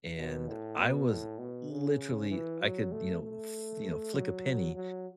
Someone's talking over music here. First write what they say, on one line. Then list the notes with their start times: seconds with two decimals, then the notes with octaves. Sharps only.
and I was literally I could, you know, fl you know, flick a penny
0.17 B2
0.48 A2
0.79 B2
1.09 A2
1.39 B2
1.70 C#3
2.30 E3
2.61 F#3
2.92 A3
3.23 A3
4.14 F#3
4.75 F#3